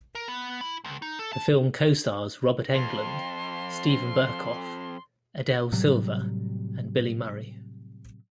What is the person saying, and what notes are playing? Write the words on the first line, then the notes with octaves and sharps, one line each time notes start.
The film co-stars Robert Englund, Steven Berkoff, Adele Silva and Billy Murray.
A#4
B3
E4
C#2
D#4
A4
A5
F2 C6
A2 C3 F#3 G3